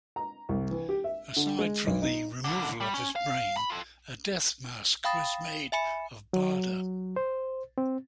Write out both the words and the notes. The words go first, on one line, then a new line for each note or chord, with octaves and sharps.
Aside from the removal of his brain, a death mask was made of Baader.
A#5
C2
E3
G4
E5
D3
G#3
B1
D#4
C2 D3
G3
C#4
F5
B5
F4 A4
F5 G5 B5 D#6 A6
E5 G#5 B5 C#7
F#3
C5
C4